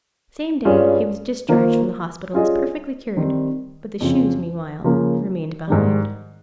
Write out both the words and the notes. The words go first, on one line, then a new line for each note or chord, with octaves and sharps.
The same day he was discharged from the hospital as perfectly cured; but the Shoes meanwhile remained behind.
G2 G3 C#4 F4 G#4
D#3 A#3 F4 C5
G3 C#4 F4 G#4 D#5
D#3 G3 C4
F2 C#3 F3
C#3 F3 A#3
G#2 D#3 G3